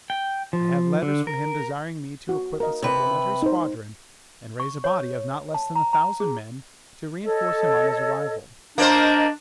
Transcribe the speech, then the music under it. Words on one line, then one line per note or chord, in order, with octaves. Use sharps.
I have letters from him desiring me to equip a supplementary squadron and raise a body of not less than a thousand men to reenforce him on his arrival.
G5
F3
D3
A#4
F#4
A#4 D#5
C3 B4
D#4 C5
C#6
C#5
A5
A#5
A#5
G#4
A4 C#5 D#5
A#3 D4 A#4 C5 D#5